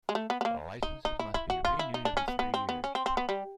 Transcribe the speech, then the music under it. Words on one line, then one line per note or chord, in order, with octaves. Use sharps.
Licenses must be renewed every three years.
G#3
A3
B3
B3
A#3
D#4
D#4
E4
E4
F#4
F4
E4
D#4
D4
C#4
B3
B3
C4
B3
C#4
C4
C4
B3
G3